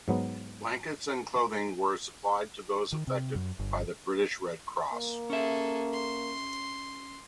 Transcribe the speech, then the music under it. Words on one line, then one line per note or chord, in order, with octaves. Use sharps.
Blankets and clothings were supplied to those affected by the British Red Cross.
G#2 F#3 B3
D#3
C3
F#2
G1
A#3
C#4 G#4 A4 E5
C6